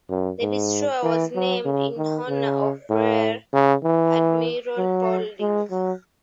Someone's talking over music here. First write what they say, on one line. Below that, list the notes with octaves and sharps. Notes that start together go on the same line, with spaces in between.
The destroyer was named in honor of Rear Admiral Paulding.
F#2
G#2
E3
F#3
C#3
D#3
C#3
A2
C#3
E3
F#3
G#3
F#3